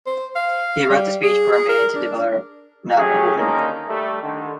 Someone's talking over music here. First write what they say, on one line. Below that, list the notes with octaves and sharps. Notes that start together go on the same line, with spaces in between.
He wrote the speech for a man to deliver, not a woman.
C5
F5
G3
G#4
G#4
A#4
D4
F#3 A3 C#4 G4 G#4
D3 D#3 A#3 C#4 D#4 A#4
G3 A3
D3 D#3